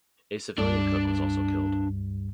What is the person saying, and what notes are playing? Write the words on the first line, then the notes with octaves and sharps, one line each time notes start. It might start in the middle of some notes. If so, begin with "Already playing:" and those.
A civilian cook was also killed.
C#2 G2 G3 D4 D5